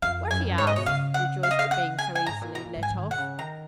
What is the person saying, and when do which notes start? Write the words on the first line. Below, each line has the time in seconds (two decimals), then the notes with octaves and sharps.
"What?" he asks, rejoiced at being so easily let off.
0.02 F2 F5
0.30 F#2 G#5
0.39 F2
0.49 F#2
0.58 G#2 C#5
0.67 D#5
0.76 B2 C#5
0.86 C#3 F5
1.14 F#5
1.43 F5
1.51 D#5
1.59 F5
1.71 F#5
1.99 G#5
2.15 G#5
2.26 G#2 A#5
2.41 A#2
2.55 B2 A#5
2.65 A#2
2.76 G#2
2.83 G#5
2.90 F3
2.97 D#3
3.09 B2 F#5
3.18 C#3
3.39 D#3 A#5